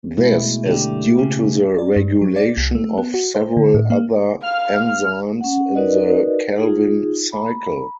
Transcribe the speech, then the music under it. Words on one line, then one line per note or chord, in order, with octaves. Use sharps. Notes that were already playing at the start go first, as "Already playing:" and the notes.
This is due to the regulation of several other enzymes in the Calvin cycle.
B2 G#3 A3 E4
D3 G4
C#3
D5
G2
F#3
D5
C2
A3
B3
F#4
C5
D3
A2
A#3
F5 F6
C#4 F#5
D#4 F#4 A#4 B4 D5 D#5
D#4 F4 G#4
A#5 B5